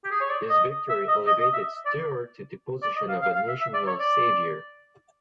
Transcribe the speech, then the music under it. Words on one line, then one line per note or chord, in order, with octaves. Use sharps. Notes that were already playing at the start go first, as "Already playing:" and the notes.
This victory elevated Sture to the position of a national savior.
G4
G#4
C#5
D5
D#5
E5
D#5
D#5
D#5
E5
D5
D5
D#5
F5
F5
F5
E5
E5
D5
C#5
D5